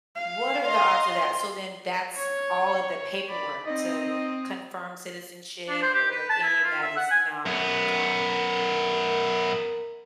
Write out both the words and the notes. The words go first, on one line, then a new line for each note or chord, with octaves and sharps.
What are the odds of that, so then, that's all of the paperwork to confirm citizenship, or any of that is now gone? Mm.
F5
D#5 C6
C#5
D5 B5
C4 D#4 D#5
D4
C5
G4
B4
A5
E4
F4
E5
F#5
G#5
F#2 B3 A#4